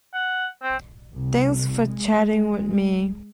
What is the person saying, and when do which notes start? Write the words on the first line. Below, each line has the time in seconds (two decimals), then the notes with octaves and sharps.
Thanks for chatting with me.
0.14 F#5
0.62 C4
1.15 C2
1.90 G#3